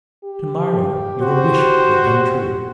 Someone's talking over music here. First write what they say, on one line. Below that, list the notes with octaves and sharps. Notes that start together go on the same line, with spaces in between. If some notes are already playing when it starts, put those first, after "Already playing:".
"Tomorrow your wish will come true."
G4
F#4 C5